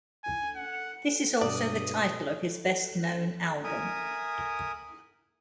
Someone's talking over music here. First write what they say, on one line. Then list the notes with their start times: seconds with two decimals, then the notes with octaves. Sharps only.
This is also the title of his best-known album.
0.24 G#5
0.56 F#5
1.41 G2 B2 C#5 D5 D#6
3.64 A#4 E5 G#5 D#6